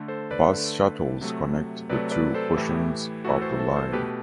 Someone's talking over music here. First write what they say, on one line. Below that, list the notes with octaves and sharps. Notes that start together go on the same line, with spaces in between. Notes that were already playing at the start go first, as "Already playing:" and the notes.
Bus shuttles connect the two portions of the line.
Already playing: D3 A3
A4 C5
B4 D5
D3 A3
C3 F#3 A3
C3 F#3 A3 B4 D5
B4 D5
A4 C5
A2 E3 A3 E4 G4
A2 E3 A3 F#4 A4
A4 C5
A4 C5
A4 C5
B2 A3 G4 B4